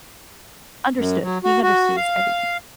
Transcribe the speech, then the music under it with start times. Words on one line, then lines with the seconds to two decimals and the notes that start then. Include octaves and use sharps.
understood, being understood is everything.
0.97 F#2
1.23 F#3
1.44 F#4
1.62 F#4
1.96 F5